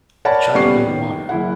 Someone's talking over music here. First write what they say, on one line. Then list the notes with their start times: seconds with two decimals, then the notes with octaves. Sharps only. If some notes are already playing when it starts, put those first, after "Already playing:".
A child in water.
0.25 A#4 C#5 D5 F#5 A5 B5
0.54 D#1 G3 B3 C#4 C#6 C7
0.86 D#3
1.29 F#1 E4 F#5